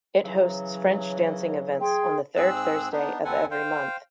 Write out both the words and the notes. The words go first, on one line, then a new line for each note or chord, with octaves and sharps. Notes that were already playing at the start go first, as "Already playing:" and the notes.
It hosts French dancing events on the third Thursday of every month.
C#3 E3 F#3
G#4 G5 C6
G#2 C4 G#4 E6 F#6
B3 D4 D#4
D#2 C4 A4 B4 F#5 G#5
C5 F5 G5